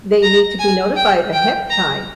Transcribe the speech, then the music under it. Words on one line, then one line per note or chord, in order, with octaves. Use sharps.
They need to be notified ahead of time.
A#5
G#5
G5
G5
A#5